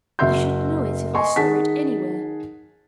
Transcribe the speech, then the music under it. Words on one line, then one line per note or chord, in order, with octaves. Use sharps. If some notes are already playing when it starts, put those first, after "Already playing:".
I should know it if I saw it anywhere.
F#1 F#4 A#4 E5 C6 G6
D#5 G#5 C6 C#6
D#3 G#4 F#5 A5 B6